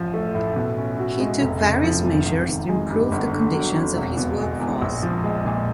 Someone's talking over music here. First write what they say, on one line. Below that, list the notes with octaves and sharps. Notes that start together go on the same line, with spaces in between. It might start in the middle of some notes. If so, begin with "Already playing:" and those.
He took various measures to improve the conditions of his work force.
Already playing: A1 F3
A3
A2
B2
C#4
F#4
G#3
F1
C#3
F3
E2
G#1
D#3
G#3
G2
G1
D3
F#3
F2
E1
B2
G#3
E2
A#1
F3
G#3
A#2